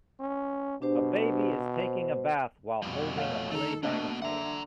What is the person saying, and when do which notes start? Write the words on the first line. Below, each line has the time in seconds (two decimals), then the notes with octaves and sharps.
A baby is taking a bath while holding a play dinosaur.
0.20 C#4
0.82 B2 D4 G4 C5
1.80 C5
2.82 F2 B2 F3 G3
3.17 F3 A3 C#5 F5 F#5
3.51 D#3 A3 A4 A#5
3.83 B2 A3 A#3 D4 D#5
4.22 D3 E5 F#5 A#5